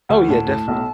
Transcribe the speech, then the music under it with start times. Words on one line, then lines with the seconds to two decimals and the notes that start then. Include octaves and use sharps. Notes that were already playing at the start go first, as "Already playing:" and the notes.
Oh yeah, definitely.
0.09 D2
0.28 A2 A5
0.48 A2
0.68 B1